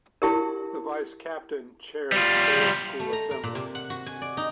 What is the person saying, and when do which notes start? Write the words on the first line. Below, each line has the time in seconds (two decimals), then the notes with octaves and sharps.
The Vice-Captain chairs whole school assemblies.
0.22 E4 G4 A#4
2.12 G3 F4
3.00 A3
3.13 A#5
3.31 A#4
3.43 A#2
3.55 C3
3.75 F#5
3.90 F#4
4.06 G#5
4.22 D5
4.37 D#4